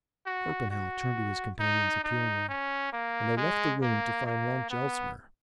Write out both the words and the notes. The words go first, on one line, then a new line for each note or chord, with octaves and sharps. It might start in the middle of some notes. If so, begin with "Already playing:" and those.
Torpenhow turned to his companions appealingly, and they left the room to find lunch elsewhere.
F#4
F#4
D#4
D#4
C#4
A#3
G#3
A#3
A#3
B3